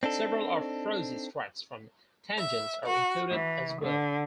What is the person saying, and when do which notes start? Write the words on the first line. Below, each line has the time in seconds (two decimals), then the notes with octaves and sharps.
Several of Froese's tracks from "Tangents" are included as well.
0.03 C4 D4 D#4 A4
2.38 E5
2.86 F#4
3.31 E3
3.82 D3